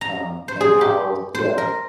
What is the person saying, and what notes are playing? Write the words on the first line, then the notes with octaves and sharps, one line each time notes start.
um, and how Yeah,
A#5
C5
G#4
G4
C5
A#4